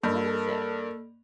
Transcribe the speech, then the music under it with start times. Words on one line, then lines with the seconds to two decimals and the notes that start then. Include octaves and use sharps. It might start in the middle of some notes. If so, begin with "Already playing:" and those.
What was it?
0.04 G2 A#3 A4 A#4